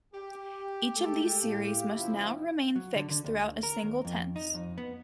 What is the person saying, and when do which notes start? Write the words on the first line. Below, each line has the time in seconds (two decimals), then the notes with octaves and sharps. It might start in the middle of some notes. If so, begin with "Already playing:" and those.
Each of these series must now remain fixed throughout a single tense.
0.13 G4
0.96 G#3 A3 A4
1.42 A2 F5
1.94 F#1 F3 E4
2.76 F#3
2.95 D3
3.11 D3
3.24 D2
3.63 A#4
3.83 D#2
4.05 F2
4.36 D#4
4.55 F2
4.78 B3